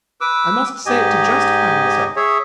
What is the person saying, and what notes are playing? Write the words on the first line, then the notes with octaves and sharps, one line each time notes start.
I must say it to justify myself.
B4 D6 E6
G#2 G4 D#5 G#5
G#4 C#5 E5